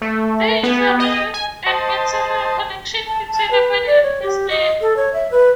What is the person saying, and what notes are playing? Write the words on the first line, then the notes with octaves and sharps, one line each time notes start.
There is a real and material connection between a man and his name.
A3
B3
D#5
G#5
C5 D#5 A5
A5
A5
B4
D5
C#5
G4
D#5
A4
C#5
E5
B4